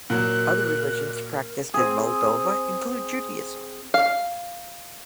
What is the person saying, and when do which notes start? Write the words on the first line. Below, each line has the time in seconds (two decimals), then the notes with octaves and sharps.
Other religions practiced in Moldova include Judaism.
0.10 A#2 F#3 A#4 F#6
1.74 C4 G#4
3.94 F5